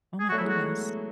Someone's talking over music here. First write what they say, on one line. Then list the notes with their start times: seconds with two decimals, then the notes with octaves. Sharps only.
Oh my goodness.
0.20 G#4
0.29 F#4
0.32 F#3 A3
0.38 E4
0.44 E3 G#3
0.48 F#4